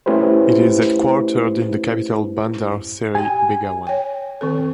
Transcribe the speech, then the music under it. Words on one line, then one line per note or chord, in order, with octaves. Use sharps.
It is headquartered in the capital Bandar Seri Begawan.
A3 C#4 E4 G4 B4 C5
G4 G5 G#5
C#5 G5
D#3 C4 A4